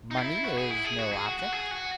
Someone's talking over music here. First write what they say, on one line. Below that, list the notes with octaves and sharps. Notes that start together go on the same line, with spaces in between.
"Money is no object?"
D#4
E4
F#4
G#4
E4
G#4
F#4
G#4
F#4
F#4
G#4
F#4